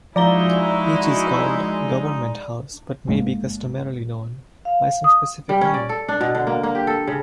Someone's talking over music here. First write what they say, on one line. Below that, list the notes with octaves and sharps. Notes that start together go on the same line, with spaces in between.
Each is called "Government House", but may be customarily known by some specific name.
F3 G#3 D#4 E4 F#4 D5 A#5 G7
G1 G#2 G#3 A#3
F5
D#6
G3
C#4
D5
A4
D4
B2
D3
A#3
A#3
G4
A4
C#3